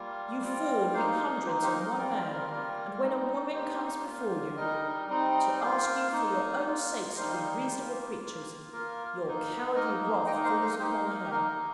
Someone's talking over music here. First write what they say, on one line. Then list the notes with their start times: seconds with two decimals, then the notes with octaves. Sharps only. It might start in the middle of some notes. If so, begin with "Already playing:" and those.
You fall--you hundreds--on one man; and when a woman comes before you, to ask you for your own sakes to be reasonable creatures, your cowardly wrath falls upon her!
Already playing: G3 A#3 F4
0.42 G3 C4 F4
0.93 A#3 D#4 C5 F5
1.45 A#3 G4 C5
1.50 D#4
1.62 G4 C5
1.80 A#4
1.97 G3 C4 F4 A#4
2.15 G4
2.33 A#4
2.49 G3 A#3 F4
3.01 G3 D#4
3.53 A#3 D#4 G4 C5
4.04 A#3 F4
4.56 G3 D#4 A#4 D#5
5.08 G3 C4 D#4
5.60 A#3 F4 C5 F5
6.12 A#3 D#4
6.65 A#3 F4
7.12 D#5
7.16 G3 A#3 D#4 C5 F5
7.67 A#3 F4 G4
8.19 A#3 F4
8.72 A#3 F4 A#4
9.23 A#3 D#4
9.75 A#3 D#4 A#4 D#5
10.27 A#3 D#4 D#5 G5
10.44 C5 F5
10.61 C5 F5
10.79 A#3 D#4 G4 C5
11.05 A#4
11.24 G4
11.31 A#3 D#4 A#4
11.49 A#4